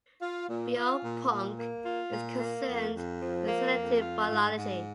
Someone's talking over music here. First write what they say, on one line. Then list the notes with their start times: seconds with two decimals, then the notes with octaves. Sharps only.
Biopunk is concerned with synthetic biology.
0.21 F4
0.48 A#2
0.76 F4
1.03 A#2
1.30 A#2
1.58 A#3
1.84 F4
2.11 A#2
2.39 A#3
2.66 F2
2.93 F2
3.21 F3
3.47 A#3
3.75 F2
4.01 F4
4.29 G#2
4.56 G#2